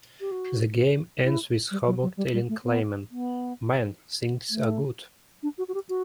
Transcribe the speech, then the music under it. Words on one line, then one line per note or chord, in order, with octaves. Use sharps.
The game ends with Hoborg telling Klaymen "Man, things are good".
G4
F#4
E4
G3
F#3
F#3
G3
G3
A3
B3
B3
A3
D4
F#4
F#4
G4
F#4